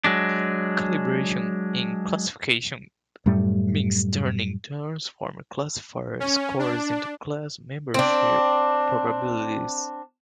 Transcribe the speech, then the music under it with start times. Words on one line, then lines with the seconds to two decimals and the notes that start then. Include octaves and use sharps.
Calibration in classification means turning transform classifier scores into class membership probabilities.
0.04 F#3 G#3 D4
3.26 F#2 A2 G3 A3
6.20 C#4
6.59 D4
7.94 C4 D4